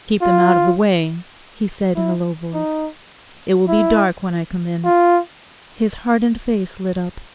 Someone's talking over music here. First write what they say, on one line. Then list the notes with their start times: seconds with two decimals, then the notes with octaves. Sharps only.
'Keep them out of the way,' he said in a low voice; 'it will be dark when I come in.' His hardened face lit up.
0.21 F4
1.95 E4
2.53 D#4
3.69 E4
4.85 F4